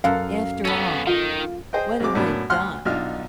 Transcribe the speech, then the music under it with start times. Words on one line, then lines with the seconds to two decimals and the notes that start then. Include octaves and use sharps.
'After all, what have I done?
0.04 F#2 A4 F5 F#5
0.65 B3 C#4 A4 B5
1.07 D#3 F4
1.73 G#4 C5 D#5 G5
2.00 G#1 F#3 G#3 C4 D6
2.15 F#2 A2 F#3 A#3 B3 D4
2.50 D2 F#5 C6 F6
2.85 B1 D4 D#4 F4 F6